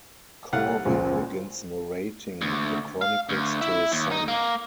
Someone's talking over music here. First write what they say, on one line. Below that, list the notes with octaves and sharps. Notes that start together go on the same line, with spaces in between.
Corwin begins narrating the Chronicles to his son.
C2 A2 F5 F#5
C#2 A#2 F3 G#3
D2
F5
D2
E4
D#2
D#4
A#3